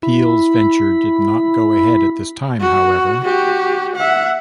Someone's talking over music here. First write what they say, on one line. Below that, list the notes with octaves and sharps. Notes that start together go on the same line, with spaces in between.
Peel's venture did not go ahead at this time, however.
E4 B5
F#4
F#4 G4
E5 F#5